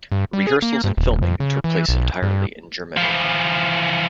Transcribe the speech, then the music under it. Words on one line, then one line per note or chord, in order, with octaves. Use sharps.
Rehearsals and filming took place entirely in Germany.
G2
G3
G#4
A#3
G2
D#1
F2
C#3
E3
B1
G2
E3 F3